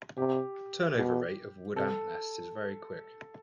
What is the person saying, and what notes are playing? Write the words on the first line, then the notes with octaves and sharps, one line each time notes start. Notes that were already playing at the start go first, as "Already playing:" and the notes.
Turnover rate of wood ant nests is very quick.
C3 G4
B2
C3 A4